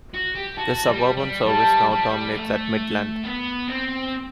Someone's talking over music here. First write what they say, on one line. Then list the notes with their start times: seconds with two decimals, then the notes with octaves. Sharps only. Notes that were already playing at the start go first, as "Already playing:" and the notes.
The suburban service now terminates at Midland.
0.14 F#4
0.35 G4
0.57 F#4 A5
0.87 G3
1.17 G3
1.46 G3 A5
1.91 G3
2.35 A3
3.24 B3
3.68 C4